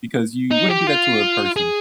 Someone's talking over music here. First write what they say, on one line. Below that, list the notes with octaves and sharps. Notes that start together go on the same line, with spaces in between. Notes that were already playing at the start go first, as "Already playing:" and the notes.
because you wouldn't do that to a person.
D#4
G4
F4
G#4